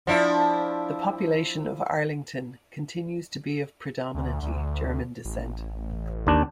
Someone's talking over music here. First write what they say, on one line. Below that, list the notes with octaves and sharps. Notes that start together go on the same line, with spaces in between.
The population of Arlington continues to be of predominately German descent.
F3 D4 E4
D2
D2
A1
D#2 D4